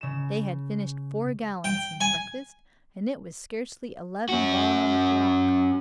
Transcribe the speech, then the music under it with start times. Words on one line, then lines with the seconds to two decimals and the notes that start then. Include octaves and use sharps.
They had finished four gallons since breakfast, and it was scarcely eleven gone on the clock!
0.01 C#3 E7
1.64 G5
2.01 G#5
4.29 C#4 F#4